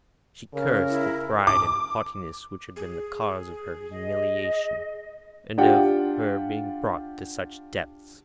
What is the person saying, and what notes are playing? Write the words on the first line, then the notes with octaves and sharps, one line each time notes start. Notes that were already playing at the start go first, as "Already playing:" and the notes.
She cursed the pride and haughtiness which had been the cause of her humiliation, and of her being brought to such depths.
C#3 A#4
E4
D6
G#4
D#5
D4 F4 G4 F#5 G5